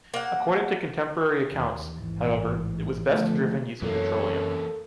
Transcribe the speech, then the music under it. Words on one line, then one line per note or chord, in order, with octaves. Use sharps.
According to contemporary accounts, however, it was best driven using petroleum.
A#3 F#5
D#2 D#3
A1 G#2 E3
D3 D#3 F3 G#3 A3 B3
F#2 E3 A#3 A4 C#5